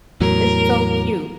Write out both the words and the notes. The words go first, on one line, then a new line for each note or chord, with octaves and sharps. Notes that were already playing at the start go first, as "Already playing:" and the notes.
It's so cute
E2 A2 F#3 A#4